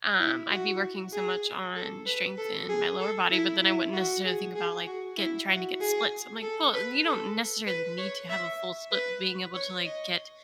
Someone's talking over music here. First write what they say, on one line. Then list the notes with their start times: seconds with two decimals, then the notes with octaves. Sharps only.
um, I'd be working so much on strength in my lower body, but then I wouldn't necessarily think about, like, getting trying to get splits. I'm, like, "Well, you don't necessarily need to have a full split, being able to, like, get
0.20 E4
0.51 F#4
1.13 G#4
1.76 A4
2.06 B4
2.38 A4
2.69 G#4
3.00 A4
3.31 E4
3.62 E4
3.93 F#4
4.25 G#4
4.56 G#4
4.87 F#4
5.18 E4
5.49 F#4
5.80 G#4
6.42 A4
6.74 B4
7.05 A4
7.67 B4
7.98 C#5
8.29 E5
8.92 B4
9.55 C#5
9.85 D#5